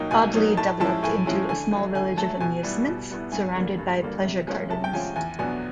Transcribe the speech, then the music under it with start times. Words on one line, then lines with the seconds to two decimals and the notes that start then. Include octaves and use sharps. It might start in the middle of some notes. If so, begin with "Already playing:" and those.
Audley developed into a small village of amusements, surrounded by 'pleasure gardens'.
Already playing: B2 F#3 A#3 D#4 G5
0.11 B2 G#5
0.34 F#3 A#3 D#4
0.57 A2 A5
0.80 F3 G#3 C#4 E4 A5
1.03 A2 G#5
1.26 F3 G#3 C#4 E4
1.49 D3 G#5
1.71 F#3 A3
1.94 D3 G#5
2.17 F#3 A3 A5
2.41 B2 G#5
2.63 G3 B3 E4
2.87 B2
3.10 G3 B3 E4
3.32 G2 G#5
3.55 D3 G3 A#3
3.78 G2
4.01 D3 G3 A#3
4.24 C3
4.47 F3 G#3 C#4 F4
4.70 C3 A5
4.84 G5
4.93 F3 G#3 C#4 F4 G#5
5.16 E2 G#5
5.39 B2 F#3 B3 D4 G#5